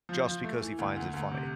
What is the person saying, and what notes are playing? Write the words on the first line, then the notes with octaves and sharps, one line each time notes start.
just because he finds it funny.
F3
F3
A3
E3
D2
D2
D2
C3